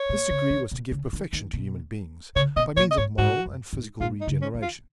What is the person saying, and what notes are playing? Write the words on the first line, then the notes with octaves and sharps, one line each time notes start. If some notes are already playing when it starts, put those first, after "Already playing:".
This degree was to give perfection to human beings, by means of moral and physical regeneration.
Already playing: C#5
A#2
C#3
D#3
B2
C#3
D#3
D#3
B2
C#3 C#5
B2 D#5
A#2 C#5
D#5
G#2 C#5
G#2 F#4
F#2
G#2
A#2 F4
D#4
C#3
C#4
D#3
F4